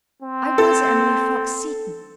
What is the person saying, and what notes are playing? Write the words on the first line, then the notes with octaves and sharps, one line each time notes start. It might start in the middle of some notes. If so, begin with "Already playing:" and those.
I was Emily Fox-Seton.
C4
A4